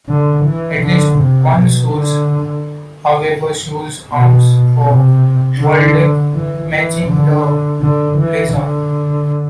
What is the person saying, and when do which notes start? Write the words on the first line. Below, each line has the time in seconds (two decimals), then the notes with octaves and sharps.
At least one source, however, shows arms for Waldeck matching the blazon.
0.09 D3
0.45 E3
0.82 D3
1.19 C3
1.56 B2
1.93 D3
4.13 B2
4.87 C3
5.60 D3
6.34 E3
6.71 E3
7.07 D3
7.81 D3
8.18 E3
8.54 D3